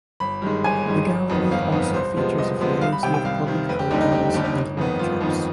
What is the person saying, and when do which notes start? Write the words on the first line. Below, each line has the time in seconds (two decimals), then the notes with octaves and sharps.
The gallery also features a variety of public programmes and lectures.
0.20 G1 B5
0.42 G2 D#3 G#3
0.64 G1 G#5
0.86 G2 D#3 G#3
1.07 G1
1.30 F2 D#3 B3
1.51 G1 F5
1.72 F2 D#3 B3
1.94 C2 C5
2.17 C3 F3 G#3 B3
2.38 C2 D#5
2.60 C3 F3 G#3 B3
2.81 C2 F5
2.92 B5
3.03 C3 D#3 G5
3.14 G5
3.25 C2 F5
3.47 C3 D#3
3.69 F1 B4
3.79 G4
3.91 D#2 D3 G3 D#4
4.01 D#4
4.12 F1 G4
4.23 G4
4.34 D#2 D3 G3 G4
4.45 D#4
4.55 G1
4.77 F2 D#3 B3
4.99 G1 F4
5.21 F2 D#3 B3